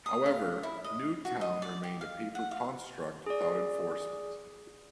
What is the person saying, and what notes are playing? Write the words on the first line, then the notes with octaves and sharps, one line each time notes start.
However, New Town remained a paper construct without enforcement.
D#6
F5
E4
D#5
F#4
D#5
D5
G4
F5
F#5
F5
G#4 D5